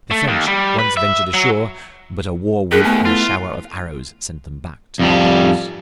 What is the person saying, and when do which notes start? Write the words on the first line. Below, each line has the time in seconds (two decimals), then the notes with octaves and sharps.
The French once ventured ashore; but a war-whoop and a shower of arrows sent them back to their boats.
0.11 A3
0.28 D#2
0.48 G3
0.79 B4
0.97 E5
1.34 F#3
2.72 D#2 G#4 A#4 F#6 B6 C#7
2.84 A3 B3 G#5 A5
3.05 E4 F4 A6
4.99 F2 G3